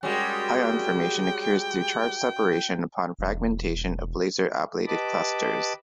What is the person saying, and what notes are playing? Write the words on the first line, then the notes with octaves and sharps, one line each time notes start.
Ion formation occurs through charge separation upon fragmentation of laser ablated clusters.
G3 G#3 C#4 F#4 A#4 G5
E1
G4 B4 D#5 A5 B5 D6